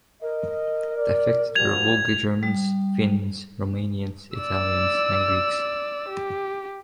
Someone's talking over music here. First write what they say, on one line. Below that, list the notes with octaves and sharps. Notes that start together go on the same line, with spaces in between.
The affected were Volga Germans, Finns, Romanians, Italians, and Greeks.
A#4 D#5
D5
F3 G3 F#4 G#6 F7
G3
D5 E6
G4